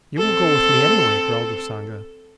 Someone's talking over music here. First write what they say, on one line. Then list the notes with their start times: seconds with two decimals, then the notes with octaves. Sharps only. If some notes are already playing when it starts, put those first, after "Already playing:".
"You will go with me anyway," growled Usanga.
0.18 C4 A4